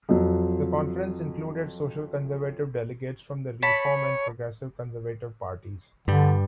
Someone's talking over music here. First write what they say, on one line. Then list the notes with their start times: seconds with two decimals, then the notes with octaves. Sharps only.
The conference included social conservative delegates from the Reform and Progressive Conservative Parties.
0.09 F2 F#3
3.62 C#5 A5 B5
6.08 G2 D3 G3